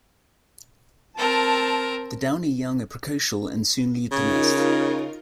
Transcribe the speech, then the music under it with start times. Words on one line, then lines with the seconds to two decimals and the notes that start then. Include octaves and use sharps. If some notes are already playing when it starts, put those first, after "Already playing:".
The downy young are precocial and soon leave the nest.
1.17 C4 A#4 A5
4.12 C#3 D#4 F4 A#4